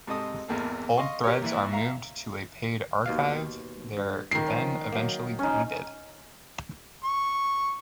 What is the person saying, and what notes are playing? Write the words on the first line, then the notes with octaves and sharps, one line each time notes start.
Old threads are moved to a paid archive; they are then eventually deleted.
G#2 C3 A4 D#5 D#6
G#1 E2 A#3 A4
D#5 F5 C6 C#6
G4 A#4 C#5
A#2 E3 E4
E5 F5 A#5
D#2 B2 F5
G2
C#2 D#3 C7
F3 C#4
F#3 A#3
C#4 D#4
C#6